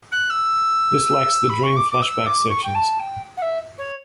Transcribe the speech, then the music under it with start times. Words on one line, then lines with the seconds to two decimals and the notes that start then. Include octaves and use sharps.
This lacks the dream flashback sections.
0.11 F#6
0.29 E6
1.49 B5
1.63 C#6
1.76 D6
1.91 D6
2.01 E6
2.26 D6
2.49 C#6
2.63 G5
2.74 A5
2.99 G5
3.37 F#5
3.42 E5
3.78 C#5